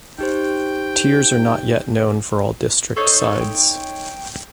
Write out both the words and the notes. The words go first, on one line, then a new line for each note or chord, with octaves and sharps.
Tiers are not yet known for all district sides.
D#4 G4 C5 G5
D#4 A4 C5 C#5
G5